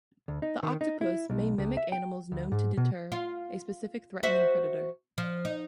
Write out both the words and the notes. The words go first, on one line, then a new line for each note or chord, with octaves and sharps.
The octopus may mimic animals known to deter a specific threatening predator.
D2
D#4
D#3
D#4
E4
B1
C#2
E5
G5
D2
G#2
B2
F4
F#4 C5 E5
F3
D#4